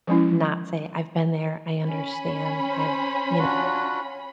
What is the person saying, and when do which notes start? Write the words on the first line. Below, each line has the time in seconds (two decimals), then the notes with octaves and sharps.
not say, "I've been there, I understand, I've" you kn
0.07 F3 G#3 C#4 E4
1.86 C#4 B5
2.70 C5
3.39 D4 F4 F#4